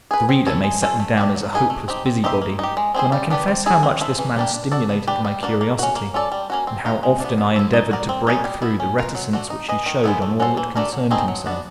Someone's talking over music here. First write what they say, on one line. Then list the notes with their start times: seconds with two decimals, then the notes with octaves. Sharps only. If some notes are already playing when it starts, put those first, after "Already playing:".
The reader may set me down as a hopeless busybody, when I confess how much this man stimulated my curiosity, and how often I endeavoured to break through the reticence which he showed on all that concerned himself.
0.11 G#4 B4
0.29 C4
0.47 E4 A4 C#5
0.64 G#3
0.82 C#4 F4 A4
1.00 A3
1.17 D4 G4
1.35 F#3
1.53 A#3 D#4 G#4 B4
1.70 A3
1.88 C4 D#4 G4
2.06 C4
2.24 D#4 G4 C5 E5
2.42 A#3
2.59 D#4 G4
2.77 G#3
2.94 C4 E4 G#4 C5
3.12 G3
3.30 B3 D4 G4 B4
3.48 C4
3.66 E4 G#4
3.83 C4
4.01 E4 A4 C5 E5
4.19 E3
4.36 G3 A#3 D4 G4
4.54 D4
4.72 F#4 A4 D5
4.89 B3
5.07 D4 G4 B4
5.25 G3
5.43 A#3 D4 F#4
5.61 A#3
5.79 C#4 F#4
5.96 A#3
6.14 C#4 F4 A4 D5
6.32 G3
6.50 A#3 C#4 F#4
6.67 C4
6.85 D#4 F#4 A#4
7.03 G#3
7.20 B3 D4
7.38 B3
7.56 E4 A4
7.73 D#4
7.91 F#4 A#4 D5
8.09 C4
8.27 D#4 G#4 C#5
8.44 G3
8.62 B3 E4
8.80 C#4
8.98 F4 A#4
9.15 F#3
9.33 A3 D4 F#4
9.50 D#4
9.68 G#4 B4 D#5
9.86 D#3
10.04 G#3 B3 E4
10.22 A3
10.40 C#4 F#4 A4 C5
10.57 E3
10.76 A3 D4 F#4 A#4
10.92 F#3
11.11 A3 C4 D#4 G#4
11.28 F#3
11.46 B3 D4 F#4